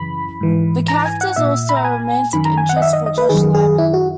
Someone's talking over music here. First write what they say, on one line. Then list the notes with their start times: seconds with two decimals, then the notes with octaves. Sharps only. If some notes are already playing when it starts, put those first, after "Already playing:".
The character is also a romantic interest for Josh Lyman.
Already playing: F#2 C#3 E3 B5
0.41 G#2 E3
0.88 A#5
1.05 G#5
1.21 F#5
1.36 A#2 E5
1.69 B5
1.77 A#5
1.85 G#5
2.33 F#2 D#3 B5
2.45 A#5
2.57 G#5
2.69 F#5
2.76 D#5
2.82 E5
2.93 D#5
3.06 D#5
3.18 B4
3.29 F#2 D#3 G#4
3.55 G#4
3.78 E4
3.94 F#4